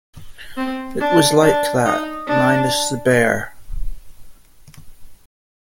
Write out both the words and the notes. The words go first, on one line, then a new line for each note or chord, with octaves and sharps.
It was like that... minus the Bear.
C4
D4
D4
D#4
D4